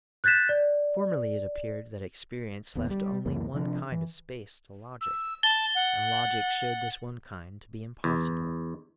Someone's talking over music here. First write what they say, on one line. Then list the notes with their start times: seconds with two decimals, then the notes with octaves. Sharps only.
Formerly it appeared that experience left only one kind of space to logic, and logic showed this one kind to be impossible.
0.24 F#6 G6 A6 B6 E7
0.49 D5
2.75 E1 D2 B3
2.90 G3
3.26 C#2 F#2 E3 A#3
3.54 C3 F3 D4
3.92 E3
5.01 E6
5.43 A5 A6 G7
5.75 F#5
8.04 E2